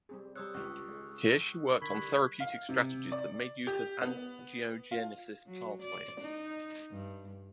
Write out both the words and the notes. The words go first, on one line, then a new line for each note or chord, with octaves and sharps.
Here she worked on therapeutic strategies that made use of angiogenesis pathways.
G3 C4 G#4
G3 C5 C#5 D#6 E6 F#6
C#2 G4 C#6 F#6
G#3
D3 A#4 B5 C#6 G#6 B6
G3 F#6
F5
C3
D5
G4
B3
F4
F#3
D5
D#4
G2